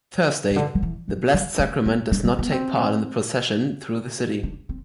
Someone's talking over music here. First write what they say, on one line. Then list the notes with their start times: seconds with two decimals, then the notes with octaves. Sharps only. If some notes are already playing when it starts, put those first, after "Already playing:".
Thursday, the Blessed Sacrament does not take part in the procession through the city.
0.50 C3
0.56 D3
0.75 F#3
0.82 E3
1.09 F#3
1.34 F#3
1.59 A3
1.86 B3
2.12 D4
2.25 C4
2.39 B3
2.52 C4
4.43 D4
4.69 C4